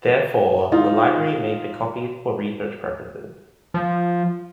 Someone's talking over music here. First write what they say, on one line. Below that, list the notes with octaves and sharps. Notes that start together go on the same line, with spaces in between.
Therefore, the library made the copies for research purposes.
G#2 D#4 F4
F3